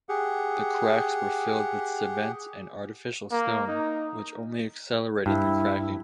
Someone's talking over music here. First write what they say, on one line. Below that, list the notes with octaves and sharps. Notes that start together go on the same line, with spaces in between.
The cracks were filled with cement and artificial stone which only accelerated the cracking.
G4 G#4 F#5
A#3
D#4
G2 E4